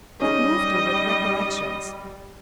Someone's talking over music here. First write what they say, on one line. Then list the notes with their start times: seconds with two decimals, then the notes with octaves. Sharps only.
It moved her with recollections.
0.22 G3 C#4 D#4 G#4 D#5